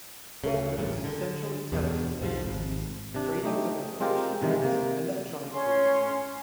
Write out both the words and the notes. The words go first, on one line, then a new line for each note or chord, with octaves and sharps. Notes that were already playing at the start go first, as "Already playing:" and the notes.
Welcome to the Central Intelligence Agency's Freedom of Information Act Electronic Reading Room.
D2 C#3
A1 G2 A#2
D3
E2 G2 B2
B1 G#2 D3 F3
G#1
C3 D4
A3 D#4 G4
G#3 C4 F4 G4 A#4 G5
C3 D#3 E3 G3 G#3
C3 A#3
C#4 C6